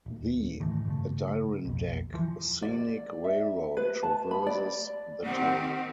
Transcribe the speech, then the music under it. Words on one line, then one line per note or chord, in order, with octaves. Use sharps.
The Adirondack Scenic Railroad traverses the town.
D#1
A2 D#3 E3 A3
G2 C#3 A3
B1 F2
E3 F3
D5
E5
B4
A5
B5
D5
D#3 C4 G4 F#5